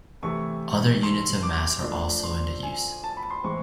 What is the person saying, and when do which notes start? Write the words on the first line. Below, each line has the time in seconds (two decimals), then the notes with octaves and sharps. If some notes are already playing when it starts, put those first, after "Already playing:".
Other units of mass are also in use.
0.22 C3 E3 A3 C#6
1.03 C6
1.43 D6
1.83 F3 A3 D4
2.23 C6
2.63 G#5
3.04 A5
3.17 B5
3.30 C6
3.44 A2 E3 G#3 C4 C#6